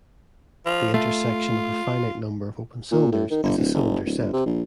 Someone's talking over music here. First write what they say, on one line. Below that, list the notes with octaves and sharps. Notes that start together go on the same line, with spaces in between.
The intersection of a finite number of open cylinders is a cylinder set.
F3
A3 F4
A#2
A2
D#3
G1
D1
F#1
D1
G1
C3
A#1